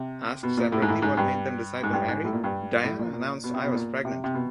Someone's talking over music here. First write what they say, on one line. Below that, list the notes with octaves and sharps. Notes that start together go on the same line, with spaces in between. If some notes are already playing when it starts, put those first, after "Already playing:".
Asked separately what made them decide to marry, Diana announced I was pregnant!
Already playing: C3
B2
A#2
A2
G#2
A2
G#2
G2
G#2
G2
G#2
A2
A#2
G2
A2
A#2
A#2
B2
C3
B2
A#2
C3
C3
B2